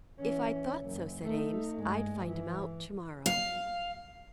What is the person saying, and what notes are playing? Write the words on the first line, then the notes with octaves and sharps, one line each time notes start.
"If I thought so," said Eames, "I'd find him out to-morrow."
E3 C#4
F#1 F#2
A3 D#4
G2 G#3
E3
F5